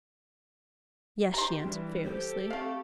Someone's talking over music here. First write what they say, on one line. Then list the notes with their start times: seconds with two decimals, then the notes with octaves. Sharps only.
"Yes," she answered fearlessly.
1.34 G4 A#5 C6
1.64 E3 G3 D4
2.05 G4 A4 C5
2.50 A3 C4 F5